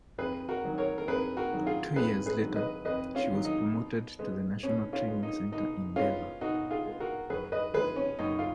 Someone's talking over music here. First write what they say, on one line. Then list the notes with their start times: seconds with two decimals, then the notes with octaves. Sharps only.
Two years later, she was promoted to the national training center in Deva.
0.18 F2 G#4 B4
0.49 F#4 A#4
0.64 D#3 F#3
0.78 A#4 C#5
0.98 A#4
1.08 F2 G#4 B4
1.37 F#4 A#4
1.52 D#3 F#3
1.66 F4 G#4
1.96 F2 G#4 B4
2.26 G#4 B4
2.41 D#3 F#3
2.56 B4 D#5
2.85 F2 B4 D#5
3.15 C#4 F4
3.30 D#3 F#3
3.45 D#4
3.74 B2
4.19 G#3 B3
4.63 B2 C#4
4.93 C#4 F4
5.08 G#3 B3
5.23 D#4
5.52 B2 D#4
5.96 G#3 B3 C#4 F4
6.41 B2 D#4 F#4
6.71 F4 G#4
6.86 G#3 B3
7.00 F#4 A#4
7.30 F#2 G#4 B4
7.52 B4 D#5
7.74 F3 G#3 B3 G#4 B4
7.96 C#4
8.19 F#2 D#4
8.39 F4